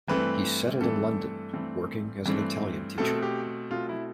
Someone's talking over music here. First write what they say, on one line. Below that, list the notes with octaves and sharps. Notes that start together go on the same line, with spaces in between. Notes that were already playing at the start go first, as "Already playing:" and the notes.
He settled in London, working as an Italian teacher.
G2 E3 A3 C4 B4
G2 E3 A3 C4 A4
G2 E3 A3 C4
G2 E3 A3 C4
B2 A3 C4 A4
G4
B2 A3 C4 F4
E4